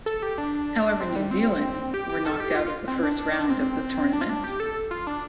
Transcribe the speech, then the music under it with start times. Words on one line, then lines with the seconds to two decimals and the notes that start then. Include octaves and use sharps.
However New Zealand were knocked out of the first round of the tournament.
0.06 A4
0.22 G4
0.38 D4
1.00 C4
1.16 G3
1.31 C4
1.94 G4
2.09 G4
2.25 A4
2.40 G4
2.56 F4
2.88 C4
3.03 D4
3.50 C4
4.13 D4
4.21 F4
4.29 D4
4.44 G4
4.60 A4
4.91 F4
5.07 D4